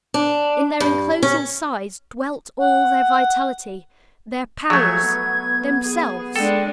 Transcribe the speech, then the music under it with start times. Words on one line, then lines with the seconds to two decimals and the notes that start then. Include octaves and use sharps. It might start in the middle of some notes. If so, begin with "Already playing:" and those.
In their enclosing sides dwelt all their vitality--their powers--themselves!
0.14 D4
0.80 G2
1.22 C#4
2.61 F#5
4.70 F3 F#3 A3 G#4 C#6 G#6
5.03 B3
5.84 G#4
6.36 G#3 D4 A4 G5